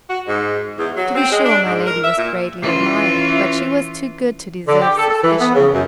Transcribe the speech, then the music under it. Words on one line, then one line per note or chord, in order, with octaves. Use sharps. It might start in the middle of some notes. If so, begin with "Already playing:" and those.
To be sure my lady was greatly admired, but she was too good to deserve suspicion.
F#4
G#2
E2
F#3
C4
G#3
D4
G#2
A#4
E5
A#2
E3 C#4 F4
D3
G4
A4
A4
E3
B3
C#3
F#2